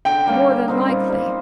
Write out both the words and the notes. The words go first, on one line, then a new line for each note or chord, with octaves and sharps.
"More than likely."
D3 G5
G3 A#3 C#4
D3
G3 C4 D#4
A#2
G3 A#3